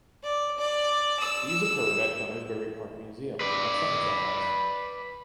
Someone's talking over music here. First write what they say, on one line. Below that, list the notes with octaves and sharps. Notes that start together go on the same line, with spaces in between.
These occurred in Gunnersbury Park Museum and at Somerset House.
D5
D5
E6
B4 D5